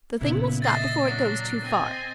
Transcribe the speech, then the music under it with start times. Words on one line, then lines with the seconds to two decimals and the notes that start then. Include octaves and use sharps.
The thing must stop before it goes too far.'
0.21 A#2 C#3 B3 E4
0.62 D#5 E5 A6 A#6 C7
1.05 F#3 D4
1.62 C4 D#5 G#5